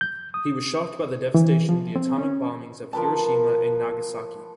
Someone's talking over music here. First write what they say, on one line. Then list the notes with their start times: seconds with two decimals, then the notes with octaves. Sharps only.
He was shocked by the devastation of the atomic bombings of Hiroshima and Nagasaki.
0.01 G6
0.34 D#6
1.34 E3
1.69 F3
1.96 C4
2.18 C#4
2.93 F3 A#4 B4 A5